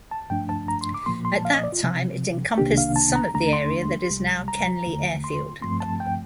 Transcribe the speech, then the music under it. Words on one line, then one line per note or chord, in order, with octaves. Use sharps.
At that time, it encompassed some of the area that is now Kenley Airfield.
A5
G2 F3 A3 D4 G5
A5
A#5
C6
D6
A#2 F3 A#3 C6
C6
A5
F5
D#5
D5
F4
C3 F3 C4
C2 C3 D#3 A#3 D4 G4
F5
A5
A#5
D#2 D3 A3 D4 A#5
C6
C2 C3 G3
A#5
D#2 D3 A3
C6
G2 F3 A3 C4 C6
A5
G5